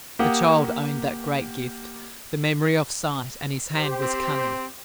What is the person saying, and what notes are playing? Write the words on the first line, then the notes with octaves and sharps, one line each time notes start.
The child owned that great gift, the memory of sight, and his hand was cunning.
A#3 G4 F#5 D#6
G4 C5
C4